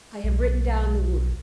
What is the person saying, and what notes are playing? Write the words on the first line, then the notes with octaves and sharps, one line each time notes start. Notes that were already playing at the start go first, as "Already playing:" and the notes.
I have written down the words.
B1